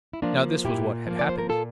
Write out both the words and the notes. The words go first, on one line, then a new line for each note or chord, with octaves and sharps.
Now this was what had happened.
E4
F3 A#3 D4 F4
A#2 E4 G4
F3 A#3
D5
C5
A#4
A#2 F4 A4